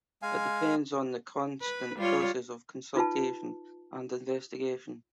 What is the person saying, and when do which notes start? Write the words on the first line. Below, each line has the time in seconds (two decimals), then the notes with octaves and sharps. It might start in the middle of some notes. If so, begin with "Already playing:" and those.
It depends on a constant process of consultation and investigation.
0.22 G#3 F5 G#5
1.62 B4
1.97 G3 F4 C#5
2.96 D#4 F4 B4 A5